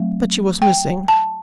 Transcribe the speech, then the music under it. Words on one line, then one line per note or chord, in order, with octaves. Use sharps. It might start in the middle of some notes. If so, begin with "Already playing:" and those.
But she was missing.
Already playing: F#3 A3 C4
G5
A5